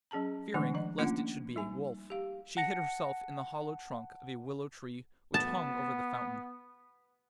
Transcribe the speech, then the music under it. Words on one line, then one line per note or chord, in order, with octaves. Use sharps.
Fearing lest it should be a wolf, she hid herself in the hollow trunk of a willow tree which hung over the fountain.
F#3 C#4 G#4 A5 A#5
D#3 F3 G#3 A3 D4 G#5
F3 D#5 A#5
A3 A#3 C#4 D4 F4 F#5
G3 D#4 G#5
G4 F5
F#5 A5 A#6 C#7
B3 A5